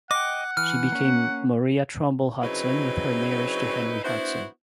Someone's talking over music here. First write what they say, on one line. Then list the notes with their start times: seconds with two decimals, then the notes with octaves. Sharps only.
She became Maria Trumbull Hudson with her marriage to Henry Hudson.
0.11 D#5 F#5 G5 D6
0.57 E3 F6
0.92 A#3 C#4
2.42 C#3 F#3 C4 D#4 E4 B4
4.05 B3 D4 E4 F#4 C5